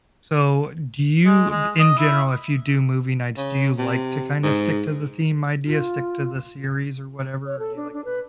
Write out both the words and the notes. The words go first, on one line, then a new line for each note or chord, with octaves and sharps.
So, do you, d in general, if you do movie nights, do you like to kinda stick to the theme idea, stick to the series or whatever, or do you like to mix up?
G#3
G#3
D#5
E4
C#3
C3
G#2
F4
C#5
A4
D4
D4
B4